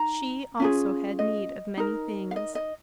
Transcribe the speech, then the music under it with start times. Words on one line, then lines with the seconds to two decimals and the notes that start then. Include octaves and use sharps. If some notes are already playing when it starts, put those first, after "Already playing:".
She, also, had need of many things.
Already playing: D#4 A#5
0.60 C#4 F4 G#4
1.19 D#5
1.77 D#4 A#4
2.31 F5
2.36 D#5
2.55 D#5